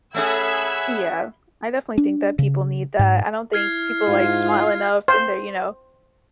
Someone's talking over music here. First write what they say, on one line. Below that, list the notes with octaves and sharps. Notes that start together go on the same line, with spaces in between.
Yeah. I definitely think that people need that. I don't think people, like, smile enough in their, you know,
A3 C#4 G#4 E5 F#5 B5 E6 G#6
D4
C#3
G#2
E4 F6 G#6 C7
G#2 F4
C5